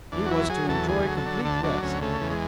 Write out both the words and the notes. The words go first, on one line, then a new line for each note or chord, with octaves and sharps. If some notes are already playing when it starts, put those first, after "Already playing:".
He was to enjoy complete rest.
E2 D4
F#4
F#3 E4
F#3 G#4
E2 A4
D2 G#4
F#3
A4
D3
D2 A4
F#3 D4
D2 C#4
C#3 A3
E2
G#3